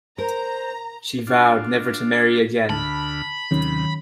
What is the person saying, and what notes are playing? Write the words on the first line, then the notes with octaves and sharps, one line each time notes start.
She vowed never to marry again.
A#4 C5 A#5
D4 F4
D2 D3 A5 B5 F6
D#2 C3 D#3 F#3 C#4